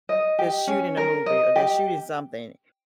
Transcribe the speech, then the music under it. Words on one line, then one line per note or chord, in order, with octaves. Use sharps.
they're shooting a movie or they're shooting something.
D#5
G4
C#4
A#4
D#5
G4